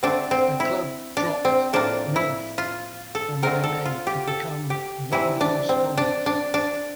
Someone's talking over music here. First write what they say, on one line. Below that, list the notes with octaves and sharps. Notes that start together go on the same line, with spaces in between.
The club dropped "North" from their name to become "London Skolars".
D3 A3 C4 D4
C4
E4
D4
C4
A2 F3 A#3 D4
E4
F4
A4
D3 A3 C4 A#4
A4
F4
G4
A4
G4
C3 E3 G3 C4 E4
D4
C4
D4
D4
D4